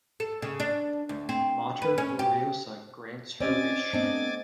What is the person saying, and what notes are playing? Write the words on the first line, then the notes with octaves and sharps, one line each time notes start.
"Mater Gloriosa" grants her wish.
A4
C#3
D4
D2
C4
B4
C#4
G4
C4 C#4 D5 D#5 G#5 D6 A6
A3 B3 C4 D4 D#5